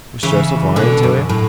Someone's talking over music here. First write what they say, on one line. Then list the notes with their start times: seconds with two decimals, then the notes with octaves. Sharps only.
Was Joseph lying to him?
0.23 C#3 E3
0.76 B2 D3
1.03 F#2
1.29 A2